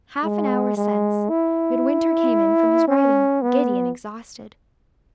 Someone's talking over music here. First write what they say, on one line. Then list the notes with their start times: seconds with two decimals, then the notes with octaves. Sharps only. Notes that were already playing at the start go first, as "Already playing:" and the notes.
Half an hour since, Midwinter came in from his writing, giddy and exhausted.
0.24 G#3
0.77 G#3
1.30 E4
2.88 C#4
3.42 B3